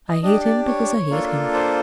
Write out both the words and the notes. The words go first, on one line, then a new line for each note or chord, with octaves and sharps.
I hate him because I hate him.
D#5
D4 G4 D#5
D5
C#5
A#3 D4 F4 A4
C5